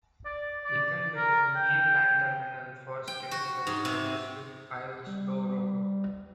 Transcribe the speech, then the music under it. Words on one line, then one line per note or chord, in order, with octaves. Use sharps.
Lincolnville is the mainland terminal for state ferry service to Islesboro.
D5
D5
A#4
G5
G5
F#4
G#2
C3
G3